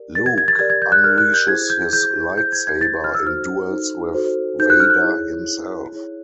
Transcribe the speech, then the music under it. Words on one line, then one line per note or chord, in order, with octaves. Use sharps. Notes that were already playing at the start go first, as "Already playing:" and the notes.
Luke unleashes his lightsaber and duels with Vader himself.
Already playing: G4 A#4 D5
G4 A#4 D5 A6
G#6
G#6
A6
G4 A#4 D5 G#6
G#6
G6
F#6
G4 A#4 D5 F6
F#6
G6
E4 G#4 C5 G#6
G6
E4 G#4 C5 G6
E4 G#4 C5 G6
G#6
G#6
E4 G#4 C5 A6
F6
E6
D#4 F#4 A4 C5 F6
D#4 F#4 A4 C5
D#4 F#4 A4 C5
D#4 F#4 A4 C5 G6
F#6
F6
F#6
E4 G#4 C#5
E4 G#4 C#5
E4 G#4 C#5